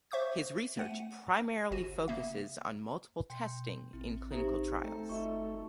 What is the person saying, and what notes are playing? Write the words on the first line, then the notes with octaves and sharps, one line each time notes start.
His research primarily focuses on multiple testing in clinical trials.
C5 E5 C#6 D6 G6
A3 F#5 D#7
G1 F#4 D#7
C#3 A#3 E5
B2 G5 C6
A1 C4 E4
D#4 G4 C5 E5 A#5
A3 G5 A#5
F#1 D#4 F4 F#4 D#5 E5 C#6